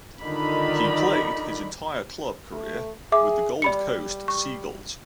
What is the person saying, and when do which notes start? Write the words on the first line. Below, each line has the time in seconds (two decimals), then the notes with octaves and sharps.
He played his entire club career with the Gold Coast Seagulls.
0.23 D3 D#3 D#4 F4 D5 B5
2.53 A3
3.12 G#4 E5 D6
3.62 G3 D5 B5 C#7
4.28 C#6